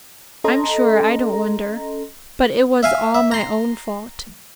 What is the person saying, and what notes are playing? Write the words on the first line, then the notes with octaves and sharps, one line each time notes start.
I'm sure I don't wonder, but it was all my own fault.
C#4 A4 D#5 A#5 C6 A#6
E5 F5 G#5
E5
A#5 C6